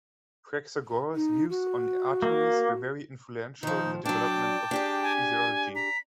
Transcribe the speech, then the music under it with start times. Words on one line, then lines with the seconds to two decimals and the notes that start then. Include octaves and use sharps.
Praxagoras' views on arteries were very influential in the development of physiology.
1.15 D#4
1.50 F#4
2.22 A#3
3.63 D#3 F3 D#4
4.05 F#3 D4 G5 A5 D6
4.71 D4 G4 G#4
5.03 G#5
5.76 A#5 B6